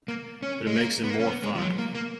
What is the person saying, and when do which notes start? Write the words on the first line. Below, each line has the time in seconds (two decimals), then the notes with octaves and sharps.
But it makes them more fun!
0.08 A#3
0.43 C#4
0.67 G#3
0.76 A#3
1.04 B3
1.10 A#3
1.20 C#4
1.27 B3
1.44 G#3
1.55 F3
1.61 F#3
1.78 A#3
1.95 A#3